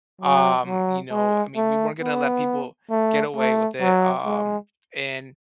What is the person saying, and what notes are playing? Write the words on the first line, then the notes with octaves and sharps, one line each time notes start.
um, you know, I mean, we weren't gonna let people get away with it. Um, and
F#3
F#3
G#3
A3
B3
A3
A3
F#3
G#3